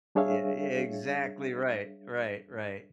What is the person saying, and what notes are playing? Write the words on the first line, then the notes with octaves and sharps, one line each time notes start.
Yeah, ye exactly right, right, right.
G3 D4 G#4 C#5 E5 F5